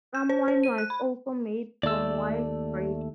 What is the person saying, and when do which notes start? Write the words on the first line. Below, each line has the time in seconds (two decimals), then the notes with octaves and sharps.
Some wine was also made from wild grapes.
0.15 G6
0.29 C5
0.48 C5
0.63 D#7
0.78 F#6
0.90 B5
1.83 D#2 A3 D5 E6